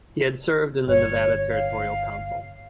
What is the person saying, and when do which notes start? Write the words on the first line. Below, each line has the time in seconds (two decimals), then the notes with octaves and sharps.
He had served in the Nevada Territorial Council.
0.87 G1 C#5
1.50 F5